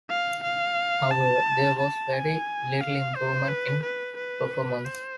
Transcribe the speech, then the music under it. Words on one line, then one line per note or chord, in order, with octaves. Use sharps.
However, there was very little improvement in performance.
F5
F5
A5
A5
G#5
F5
C5
B4
B4
B4
C5